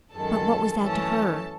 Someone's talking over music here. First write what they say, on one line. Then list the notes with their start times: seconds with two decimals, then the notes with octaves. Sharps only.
But what was that to her?
0.15 F#2 D#3 G#3 A4 A5
0.80 F#2 E3 A3 C#4 A4 A5